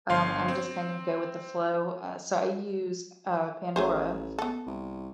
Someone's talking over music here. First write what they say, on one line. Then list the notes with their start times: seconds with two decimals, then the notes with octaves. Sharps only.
Um, I'm just kind of go with the flow, uh, so I use, uh, Pandora
0.09 G1 F5 C6
0.48 C4
3.76 A1 A3 G#4 C5
4.39 B3 A4
4.67 C2